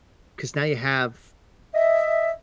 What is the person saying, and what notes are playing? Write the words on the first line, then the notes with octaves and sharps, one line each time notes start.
'Cause now you have
D#5 E5